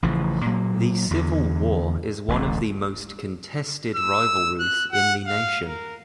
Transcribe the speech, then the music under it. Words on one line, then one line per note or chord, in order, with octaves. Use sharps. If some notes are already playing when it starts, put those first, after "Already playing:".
The Civil War is one of the most contested rivalries in the nation.
A1 C#3 E3 F3
A#2 F#3 A#3
E2 D3
D1 A1 D3
E6
F#6
F#5
F5
A#4